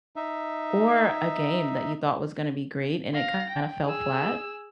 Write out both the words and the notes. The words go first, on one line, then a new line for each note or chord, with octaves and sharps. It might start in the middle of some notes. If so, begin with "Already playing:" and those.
or a game that you thought was gonna be great and it kinda fell flat?
D#4 E5
F5 A#6
G5
G#4 E6